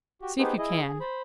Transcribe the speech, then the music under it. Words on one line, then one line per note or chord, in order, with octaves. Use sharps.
"See if you can."
F#4 G4
B3 D#4 G4 G#4 B4 C5
E4 G#4 D#5
G#4
C5 B5